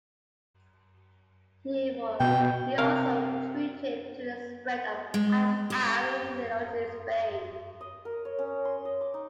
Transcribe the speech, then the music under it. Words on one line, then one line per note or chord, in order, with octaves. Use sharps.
He also contributed to the spread of Ash'ari theology in Spain.
B2 G5
C3 A#4 F5
G#3
G4
D#5
A#4
C#5
C#4
C6
D#5
D6
D#4